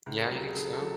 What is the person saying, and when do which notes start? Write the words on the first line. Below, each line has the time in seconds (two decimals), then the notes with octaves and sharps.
Yeah, you think so?
0.06 C#2
0.18 A#4
0.31 F#3 G4
0.43 G#4
0.56 C#3 A4
0.73 A4
0.81 F#3